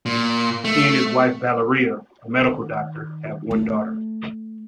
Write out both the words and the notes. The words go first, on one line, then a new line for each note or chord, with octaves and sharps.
He and his wife Valeria, a medical doctor, have one daughter.
A#2
A3
D#3
A3